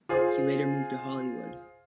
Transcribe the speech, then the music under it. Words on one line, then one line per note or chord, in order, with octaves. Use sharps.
He later moved to Hollywood.
F4 G#4 C5